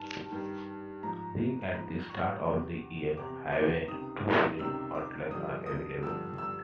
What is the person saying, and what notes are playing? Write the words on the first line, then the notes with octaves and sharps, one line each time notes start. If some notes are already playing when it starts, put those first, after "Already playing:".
Being at the start of the Eyre Highway, two fuel outlets are available.
Already playing: G2 D#3 A5
G2 D#3
G#2 F3 A#5
G#2 F3 B5
C#6
E2 C3 E3 D6
E2 C3 E3 D6
D6
C#2 C3 D#3 D#6
C#2 C3 D#3 E6
D6
G2 D3 F3 D#6
D#6
G2 D3 F3 E6
E6